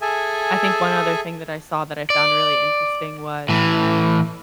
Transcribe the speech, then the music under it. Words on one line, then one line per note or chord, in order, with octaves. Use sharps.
I think one other thing that I saw that I found really interesting was,
G#4 A4 E5 G#5
D5
A2 E3